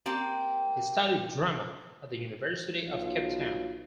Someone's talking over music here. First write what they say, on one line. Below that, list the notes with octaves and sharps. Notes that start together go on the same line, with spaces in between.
He studied drama at the University of Cape Town.
A#3 C4 G4 A5
B1 F4